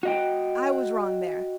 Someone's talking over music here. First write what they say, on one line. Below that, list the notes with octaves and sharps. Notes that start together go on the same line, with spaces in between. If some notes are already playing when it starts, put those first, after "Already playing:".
I was wrong there.
F#4 D#5 G5